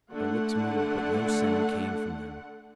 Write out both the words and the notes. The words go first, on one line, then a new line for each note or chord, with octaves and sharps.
Her lips moved; but no sound came from them.
D3 A3 F#5